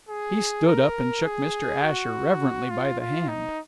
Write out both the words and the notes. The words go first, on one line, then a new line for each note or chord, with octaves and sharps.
He stood up and shook Mr. Asher reverently by the hand.
G#4
A#4
G#4
F#4
F4
F4
D#4